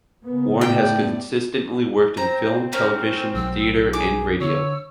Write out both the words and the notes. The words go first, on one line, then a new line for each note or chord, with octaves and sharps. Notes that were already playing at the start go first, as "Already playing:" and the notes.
Warren has consistently worked in film, television, theatre and radio.
C#3 A#3 B3
A2 D5 G5
C4 C5 A#5
C#4 A#4 C5
B1 F#3 E6
D#4 G#4 D6
D3 C#5 E6